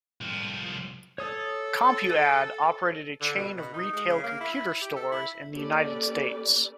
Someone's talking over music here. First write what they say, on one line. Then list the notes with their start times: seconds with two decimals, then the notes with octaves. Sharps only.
CompuAdd operated a chain of retail computer stores in the United States.
0.21 C2 F3
1.18 A4 C#5 D#6
3.21 D3
3.37 B2
3.57 B2
3.74 D#4
3.93 G#3
4.07 C#3
4.24 A#3
4.41 E4
4.53 E4
4.81 G4
4.96 A4
5.12 E4
5.52 A#3 C#4 G4 A4 B4 D5